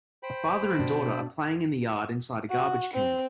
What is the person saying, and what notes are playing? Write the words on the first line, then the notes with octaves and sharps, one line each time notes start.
A father and daughter are playing in the yard inside a garbage can.
C5 G5 B5
B2 D4
F#4
C4